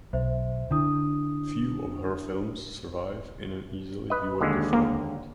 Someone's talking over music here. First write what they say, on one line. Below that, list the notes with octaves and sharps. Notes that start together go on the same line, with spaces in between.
Few of her films survive in an easily viewable format.
B1 C5 E5
D3 D4 E4 D#6
B4 D#5
D#2 D3 G#3
A#3